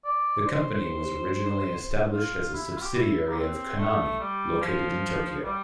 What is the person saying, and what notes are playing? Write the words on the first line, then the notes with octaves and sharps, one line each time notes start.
The company was originally established as a subsidiary of Konami, located in Tokyo.
D5
C5
F4
E4
E4
F4
G4
E4
A#3
C4
A3
G3
F3
G3